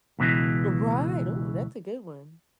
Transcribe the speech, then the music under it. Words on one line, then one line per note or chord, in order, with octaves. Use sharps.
Right. Oh, that's a good one.
C#2 B2 D3 E3